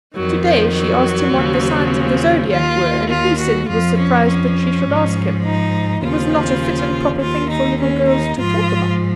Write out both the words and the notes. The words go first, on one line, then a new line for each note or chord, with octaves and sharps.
Today she asked him what the signs of the Zodiac were, and he said he was surprised that she should ask him; it was not a fit and proper thing for little girls to talk about.
F2 D#3 F#3
F3
F#3
D#2 C#3 F3
D#2 D#3 F4
F4
F#4
F2 F3 F4
C#4
C#4
G#2 F3
D#4
D#2 C#3 F3 F4
D#2 D#3 F4
D#4
C#4
D#4
G#2 F3 F4